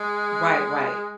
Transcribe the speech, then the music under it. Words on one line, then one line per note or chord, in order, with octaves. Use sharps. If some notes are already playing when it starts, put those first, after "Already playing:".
Right, right.
Already playing: G#3